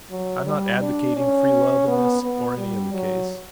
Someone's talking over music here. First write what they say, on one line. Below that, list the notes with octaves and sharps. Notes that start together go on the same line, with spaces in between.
I am not advocating free love in this or any other case.
F#3
G3
D4
C#4
B3
B3
G3
F#3